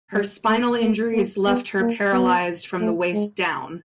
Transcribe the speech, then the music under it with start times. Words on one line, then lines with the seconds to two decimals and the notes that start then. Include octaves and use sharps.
Her spinal injuries left her paralysed from the waist down.
0.13 G3
0.47 A3
0.80 A#3
1.13 A#3
1.47 B3
1.80 A#3
2.13 B3
2.80 A3
3.13 G#3